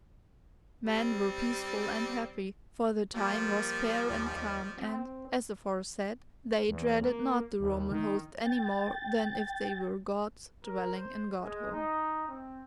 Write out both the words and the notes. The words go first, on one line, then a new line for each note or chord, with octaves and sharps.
Men were peaceful and happy, for the time was fair and calm, and, as aforesaid, they dreaded not the Roman Host any more than if they were Gods dwelling in God-home.
G3 C4
F3 G3 A#3
D#2
C4
E2
A#3
D#2
D#3
G5 A6
A#4
C5
G#3
D#4
C4